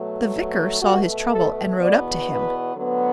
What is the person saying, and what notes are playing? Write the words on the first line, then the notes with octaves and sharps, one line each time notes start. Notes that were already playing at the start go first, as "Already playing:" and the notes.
The vicar saw his trouble, and rode up to him.
Already playing: B2 F#3 A3
B2 A3 F#4
A4
E2 B2 B3 D5
B4
D2 D3 F#3 B3